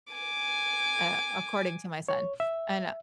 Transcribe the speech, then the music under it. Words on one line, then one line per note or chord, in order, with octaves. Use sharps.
uh- according to my son- and I
G#5 D6
C#5
E5